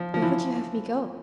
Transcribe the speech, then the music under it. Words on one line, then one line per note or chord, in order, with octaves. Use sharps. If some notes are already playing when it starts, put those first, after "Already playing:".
"Where would you have me go?"
Already playing: F3
F3
E3